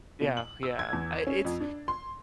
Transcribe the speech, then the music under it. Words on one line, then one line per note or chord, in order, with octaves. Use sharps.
Yeah yeah, I it's
B2
F#7
E6
G#6
E2
C#4
F2
D4
C6